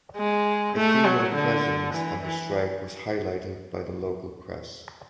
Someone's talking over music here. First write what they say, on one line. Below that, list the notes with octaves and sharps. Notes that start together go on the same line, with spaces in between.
The female presence on the strike was highlighted by the local press.
G#3
A3
F#3
D3
E3
E3